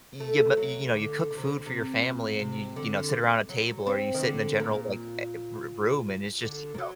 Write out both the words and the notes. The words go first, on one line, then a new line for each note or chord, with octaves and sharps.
you m you know, you cook food for your family and you you know, sit around a table or you sit in a general, like, eh eh, r room and it's just, you know
A3
F#3
D3
D3
C3
D3
C3
A#2
C3
D3
F#3
C4
D#3
D3
A#2
D3
D#3
F#3